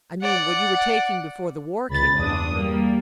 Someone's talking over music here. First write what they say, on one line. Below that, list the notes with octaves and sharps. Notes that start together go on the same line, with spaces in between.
I mean what you were taking before the war came along.
D5 F#5
C#2 B5 A6
E2 G2 D4 D#6
G3 A#3